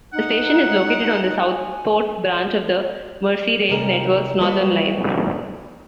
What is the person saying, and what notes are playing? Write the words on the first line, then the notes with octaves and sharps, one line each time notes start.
The station is located on the Southport branch of the Merseyrail network's Northern Line.
D#4 F#5
G#5
C3 D#3 G3 C#4 A#4
G3 A#3 F#4 B4 D#5